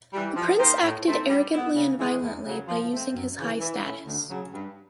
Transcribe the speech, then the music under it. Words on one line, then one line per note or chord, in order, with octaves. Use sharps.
The Prince acted arrogantly and violently by using his high status.
E3 G3
F3
A#3 D#4 G4 C5
A2
E3 A3 C4 D#4
G3
B3 E4
C#3
E3 G#3
E2
C#3 F#3
F3
A3 C4
F#2
C#3 E3
E3
A3 C#4 E4
D2
C#3 F#3
G2